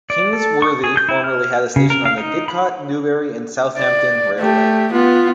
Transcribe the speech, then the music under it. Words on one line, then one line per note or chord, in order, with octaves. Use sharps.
Kings Worthy formerly had a station on the Didcot, Newbury and Southampton Railway.
D5
A4
C#6
G#4
G6
E4
F6
C#3
A#4
F5
D#4
B5
D5
A3 G4
B3 F4